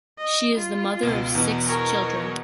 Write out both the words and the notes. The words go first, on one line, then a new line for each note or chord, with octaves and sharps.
She is the mother of six children.
D#5
F4
C#2 B2
E2 B2
A#4 C#5